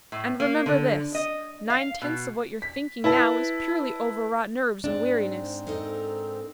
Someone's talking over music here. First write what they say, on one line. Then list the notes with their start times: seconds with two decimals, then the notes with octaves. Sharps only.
And remember this--nine-tenths of what you're thinking now is purely over-wrought nerves and weariness.
0.12 A2
0.40 A#3
0.66 D3
1.15 D#5
1.70 F5
2.02 B2
2.62 B6
3.04 E4 B4 A5
4.84 G#2 C4 D4
5.67 D#4 A4 A#4